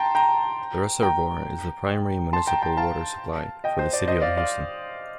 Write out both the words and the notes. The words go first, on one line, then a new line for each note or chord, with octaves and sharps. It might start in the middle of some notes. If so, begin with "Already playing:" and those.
The reservoir is the primary municipal water supply for the city of Houston.
Already playing: G5 A5 A#5 C6
G5 A#5
G5 A#5
A5 C6
G5 A#5
G5 A#5
F5 A5
D#5 G5
C5
D5
C5 D#5
D5 F5
D5 F5